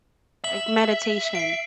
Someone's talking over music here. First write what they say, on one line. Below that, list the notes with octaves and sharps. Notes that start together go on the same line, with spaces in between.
Like meditation.
E5 F#7
C7 D7